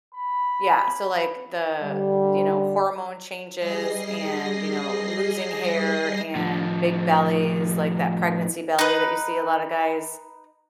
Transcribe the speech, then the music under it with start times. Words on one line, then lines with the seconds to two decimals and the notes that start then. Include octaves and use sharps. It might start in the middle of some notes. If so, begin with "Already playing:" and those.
yeah, so, like, the, you know, hormone changes and, you know, losing hair and big bellies, like that pregnancy belly that you see a lot of guys,
0.15 B5
1.83 D3 G3
3.58 G3 G#4 D#5 A#6 C7
6.35 A2 F3
8.79 D#4 B4